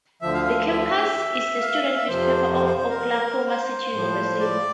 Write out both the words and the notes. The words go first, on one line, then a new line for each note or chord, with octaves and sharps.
"The Campus" is the student newspaper at Oklahoma City University.
D2 D3 F3 E5
F5
F5
E5
E5
F5
E5
F5
E5
F2 C3 F3 C5
C5
C5
C5
A#4
C5
A2 F3
D5